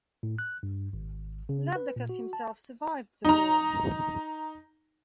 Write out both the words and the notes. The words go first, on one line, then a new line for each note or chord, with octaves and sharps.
Labdacus himself survived the war.
A2
F#6
G2
G#1
C#3
B4
A#2
F#4
A5
D#4 A#5